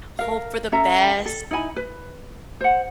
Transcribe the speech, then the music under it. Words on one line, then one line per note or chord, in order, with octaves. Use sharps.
hope for the best.
A#4 F5
C#4 A4 E5 A#5
A4
D#4 E4 G#5 B5
B4
C5 F#5